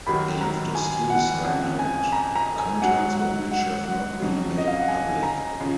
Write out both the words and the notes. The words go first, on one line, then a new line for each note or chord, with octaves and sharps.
He left a suicide note, the contents of which have not been made public.
D#2 D#3 F#3 B5
A#5
G#5
F#5
F2 C#3 F3 F#5
G#5
A#5
A#5
G#5
G#2 F#3 F#5
F#5
F#5
F#5
F2 C#3 F#3
D#5
F5
F#5
G#5
A#5
C#3 F3